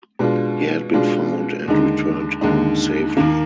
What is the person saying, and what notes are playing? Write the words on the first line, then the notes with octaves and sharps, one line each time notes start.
He had been found and returned home safely.
B2 G#3 D4 F4
B2 G#3 D4 F4
D#2 D3 G#3 D#4
D#2 D3 G#3 D#4
D#2 D#3 A#3